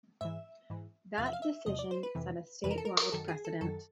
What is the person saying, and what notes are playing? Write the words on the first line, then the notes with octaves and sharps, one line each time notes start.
That decision set a statewide precedent.
G#2 E3 E5
G#2 E3
E2 C3 F3 F5
E5
F5
E5
E2 C3 F3 D#5
D5
C5
B4
F2 C3 E3
F2 C3 E3 B4
A#4
A4
A#4
A#4
F#2 D#3 F#3 A4
G#4
A4
F#2 D#3 F#3 A4